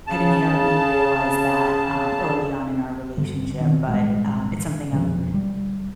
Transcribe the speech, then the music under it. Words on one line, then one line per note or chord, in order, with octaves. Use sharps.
had inherently realized that, um, early on in our relationship, but, um, it's something I'm
C#3 A5
G2 D3
B2 D#3 B3 C4
A1 B2 G3 G#3
F1 B2 D3 F3
G3